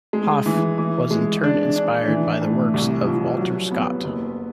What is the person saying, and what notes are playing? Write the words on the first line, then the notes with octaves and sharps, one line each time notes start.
Hauff was in turn inspired by the works of Walter Scott.
G#3
E3
E3
G#3
D4
D4
E3
A2
C2
F3
F#3
B3
F#1